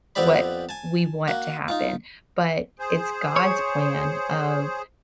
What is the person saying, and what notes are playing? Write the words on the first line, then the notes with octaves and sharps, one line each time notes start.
what we want to happen, but it's God's plan of
F2 B3 C4 G4 D5 B5
G#5 A5
A#3 F#4
D#4 F4
G#4 C5
C#5